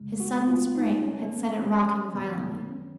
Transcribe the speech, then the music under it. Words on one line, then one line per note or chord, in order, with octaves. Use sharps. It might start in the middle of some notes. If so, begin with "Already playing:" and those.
His sudden spring had set it rocking violently.
Already playing: F2 C#3 G#3
F#4
F4
D#4
C#4
A#3
B3
C#4
F#2 D#3 F#3 B3
C#4